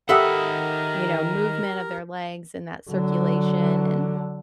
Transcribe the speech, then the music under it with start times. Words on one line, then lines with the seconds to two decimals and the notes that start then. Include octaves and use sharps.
you know, movement of their legs and that circulation, and
0.09 D#3 G4 A4 A#4 E5 F#5 B5 D#6
2.91 D3 F#3